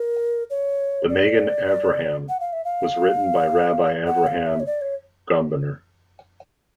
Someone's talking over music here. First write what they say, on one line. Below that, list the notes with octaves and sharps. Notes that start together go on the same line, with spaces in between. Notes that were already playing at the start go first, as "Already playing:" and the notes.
The Magen Avraham was written by Rabbi Avraham Gombiner.
Already playing: A#4
C#5
D5
F#5
F5
E5
F5
F#5
F5
E5
C#5
D5
C#5